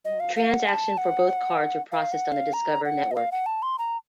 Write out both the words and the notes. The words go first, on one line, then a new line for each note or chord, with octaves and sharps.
Transactions for both cards were processed on the Discover Network.
D#5
F5
F5
F#5
A5
F#5
F5
F#5
F5
A#5
F#5
D#5
F5
F#5
A5
C6
A#5